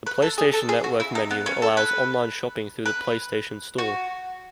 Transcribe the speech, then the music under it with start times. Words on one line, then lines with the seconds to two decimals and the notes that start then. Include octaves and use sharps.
The PlayStation Network menu allows online shopping through the PlayStation Store.
0.06 B4
0.22 A4
0.38 G#4
0.53 A4
0.69 G#4
0.84 F#4
1.00 E4
1.15 D#4
1.31 B3
1.46 C#4
1.62 A4
1.77 B4
2.86 B4
3.78 F#4